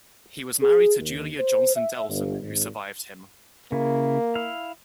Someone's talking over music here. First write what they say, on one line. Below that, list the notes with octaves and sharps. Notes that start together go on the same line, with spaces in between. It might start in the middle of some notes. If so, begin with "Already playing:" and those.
He was married to Julia Johnson Dalton, who survived him.
G#4
D#2
C5
E5
G1
G#1
C#3 A#3 E4
E4 F5